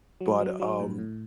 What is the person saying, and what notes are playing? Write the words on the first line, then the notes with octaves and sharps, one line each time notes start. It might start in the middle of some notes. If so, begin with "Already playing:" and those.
but, um,
F#3
F#3
F#3
A2
A2